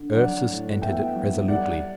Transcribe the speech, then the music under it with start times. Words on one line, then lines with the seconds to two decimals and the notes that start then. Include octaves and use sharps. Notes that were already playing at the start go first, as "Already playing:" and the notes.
Ursus entered it resolutely.
Already playing: D3
0.15 F#3 D5 F#5
0.49 A2
0.82 B3 E5 G5
1.15 F#3
1.48 G3 D5 F#5